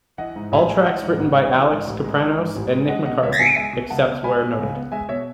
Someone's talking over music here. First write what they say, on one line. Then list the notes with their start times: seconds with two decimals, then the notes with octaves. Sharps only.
All tracks written by Alex Kapranos and Nick McCarthy, except where noted.
0.18 E3 D#5 F#5
0.36 G#2
0.52 A1 E5 G#5
0.70 G#3
0.86 E3 D#5 F#5
1.03 G#2
1.20 A1
1.37 G#3
1.54 E3
1.71 G#2
1.87 A1
2.04 G#3
2.21 E3
2.39 G#2
2.56 A1
2.72 G#3
2.88 G#3 D#5 F#5
3.06 B2 D#5 F#5
3.22 C#2 C#5 E5
3.39 B3 E5 G#5
3.56 G#3 E5 G#5
3.73 B2
3.90 C#2 F#5 A5
4.08 B3
4.24 G#3 G#5 B5
4.41 B2
4.58 C#2
4.75 B3
4.92 G#3 E5 G#5
5.09 B2 C#5 E5